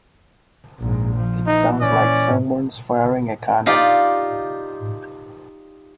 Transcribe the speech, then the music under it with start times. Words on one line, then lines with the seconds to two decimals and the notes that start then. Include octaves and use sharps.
It sounds like someone's firing a cannon.
0.80 A#1 G#2
1.16 F3
1.47 A#2 E3 D#4
1.82 C#4 D5
3.66 D#4 F4 G4 D5